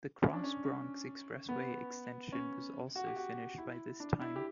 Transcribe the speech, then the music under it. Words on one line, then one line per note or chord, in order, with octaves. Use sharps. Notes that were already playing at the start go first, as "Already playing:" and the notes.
The Cross Bronx Expressway Extension was also finished by this time.
C#4
D4
C#4
C#4
B3
C#4
F#4
G4
F#4
E4
D4
E4
G4